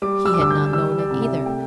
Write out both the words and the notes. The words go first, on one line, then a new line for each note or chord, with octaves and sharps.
He had not known it either.
G3 D6
E6
D6
D2 E6
G6
G3 E6
D5
C2
E5
A3 G5